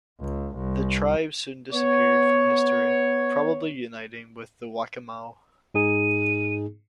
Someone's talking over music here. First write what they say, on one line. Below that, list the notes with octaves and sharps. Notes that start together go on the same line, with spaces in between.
The tribe soon disappeared from history, probably uniting with the Waccamaw.
C#2
C2
B3 C#5
G#2 D#4 G#4 D#7